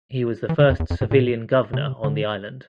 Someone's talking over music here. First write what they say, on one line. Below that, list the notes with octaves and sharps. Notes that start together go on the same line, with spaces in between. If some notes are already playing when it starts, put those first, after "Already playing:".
He was the first civilian governor on the island.
E3
D3
F2
E2
F2
A2
A#2
C3
D3
C3
D3